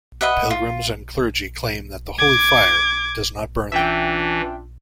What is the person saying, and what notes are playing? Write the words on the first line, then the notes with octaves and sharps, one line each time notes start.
Pilgrims and clergy claim that the Holy Fire does not burn them.
B4 D#5 E5 F#5
F4
D6 G#6
E3 C#4 D4 F4 E5 G5